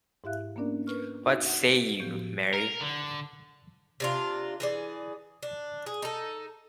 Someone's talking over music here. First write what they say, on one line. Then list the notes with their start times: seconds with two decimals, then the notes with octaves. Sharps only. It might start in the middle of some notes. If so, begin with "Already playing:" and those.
What say you, Mary?
0.24 G#2 E4 G4 E5 F5 F#6
0.56 A#3 B3 C#4 D4 A#4 D5
0.87 A#4 B4 C#6 F6
1.24 D#4 F#4
1.46 F#5
2.00 A2 F3 B3 F#4 G4 G6
2.54 A#4
2.81 D3
4.00 C3 D4 F4
4.60 E3 G#4 D5
5.43 D4
5.86 G#4
6.02 D#4 A4